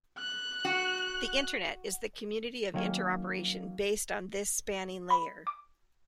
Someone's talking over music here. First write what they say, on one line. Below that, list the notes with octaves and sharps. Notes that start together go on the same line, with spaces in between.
The Internet is the community of interoperation based on this spanning layer.
F#6
F#4
D#3 F#3 A#3 C#4
B5
D6